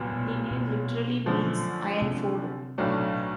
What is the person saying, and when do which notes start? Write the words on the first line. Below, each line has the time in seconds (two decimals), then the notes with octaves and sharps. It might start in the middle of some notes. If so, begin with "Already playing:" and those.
The name literally means Iron Ford.
Already playing: C2 A#2 F#3 B3
0.13 B2
0.51 B2
1.26 F#2 D3 F3 A3
2.02 C3
2.78 B1 A2 F#3 A3 D4